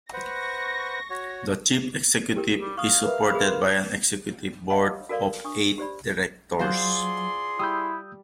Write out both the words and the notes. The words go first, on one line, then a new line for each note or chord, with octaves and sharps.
The chief executive is supported by an Executive Board of eight directors.
B4 C5 F#5 C#6 A#6
F#4 C#5
E4 G4 A#4
G3
F5 C#6 D#6
A#4 B4 E5
G#4 B5
C6
C#5 D#5 F5 F#5 A#5 B5
F#4 A4 A#4 C5 D5 F5
D4 C#6 D#6
G4 C5 D5 B5
F#3 F4 G#4 C5 D5 F#5 C6
G3 E4 D#6 E6 G6